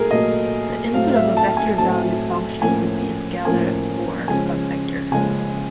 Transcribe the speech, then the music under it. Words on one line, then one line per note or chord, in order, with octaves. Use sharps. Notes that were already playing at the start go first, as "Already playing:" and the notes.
The input of a vector-valued function could be a scalar or a vector.
Already playing: A#2 F#3 A3 G#4 A#4
A#2 F#3 A3 D#5
A2 F#3 A3 C4 F5
F5
E5
A5
G#5
A2 F#3 A3 C4 A5
A2 F3 A#3 C#4 G#5
A2 F3 A#3 C#4 G#5
C#3 F3 G#3 C#4 G#5
C#3 F3 G#3 C#4 G#5